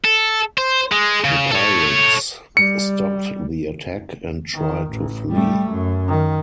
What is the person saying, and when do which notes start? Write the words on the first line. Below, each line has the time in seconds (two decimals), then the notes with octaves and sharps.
The pirates stopped the attack and tried to flee.
0.05 A4
0.58 C5
0.92 G#3
1.24 C#3
1.51 A4 C#5
2.57 G3 C#7
4.55 D#3
4.90 A1
5.31 G3 A3
5.71 F#2
6.08 D#3